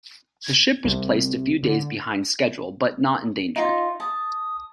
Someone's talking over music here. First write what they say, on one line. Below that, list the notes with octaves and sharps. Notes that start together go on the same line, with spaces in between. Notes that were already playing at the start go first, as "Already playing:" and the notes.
The ship was placed a few days behind schedule but not endangered.
G#6
C2
D3
D#4 F4
A5 D#6